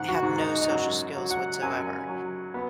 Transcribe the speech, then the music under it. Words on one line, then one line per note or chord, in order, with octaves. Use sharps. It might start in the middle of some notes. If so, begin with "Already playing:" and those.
have no social skills whatsoever,
Already playing: G#2 F#5
F#4
G#2
D#4
D#4
F#2 F#4
F#3
F#5
F#2 G#5
F#3
B3